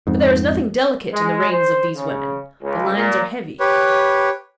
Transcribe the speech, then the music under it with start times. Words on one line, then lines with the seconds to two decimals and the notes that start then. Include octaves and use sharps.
But there is nothing delicate in the reigns of these women. The lines are heavy.
0.07 F2 G#2
1.13 G#3
1.51 C5
1.95 C#3
2.62 C#2
2.96 A#2
3.60 G4 B4 C#5